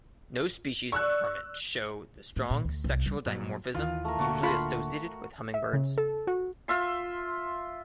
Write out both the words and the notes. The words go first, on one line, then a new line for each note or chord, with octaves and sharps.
No species of hermit show the strong sexual dimorphism usually associated with hummingbirds.
D5 C#6 E6 F#6
A2
A#2
D2
C2
G3
G2 A#2 F#3
D#2 D#3 E3 F4
A3 A#4
D1 D3 A#3 F#4 D6
F4 B5
E5
C#3
A4
F#4
F4 E5 C6